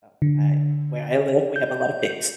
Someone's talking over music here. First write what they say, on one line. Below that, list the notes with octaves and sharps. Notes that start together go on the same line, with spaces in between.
So I where I live, we have a lot of pigs.
D3
G6